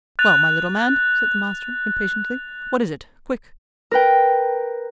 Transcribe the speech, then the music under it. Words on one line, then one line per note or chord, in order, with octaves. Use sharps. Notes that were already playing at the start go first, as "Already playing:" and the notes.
"Well, my little man," said the master, impatiently, "what is it? quick!"
F#6 A6 F7
A#4 B4 G5